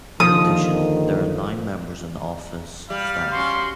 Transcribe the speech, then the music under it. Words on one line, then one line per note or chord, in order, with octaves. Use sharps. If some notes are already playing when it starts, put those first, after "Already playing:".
In addition, there are nine members in the office staff.
D#2 D3 D#3 F3 D#6
G3 F5
C#4 F#4 C6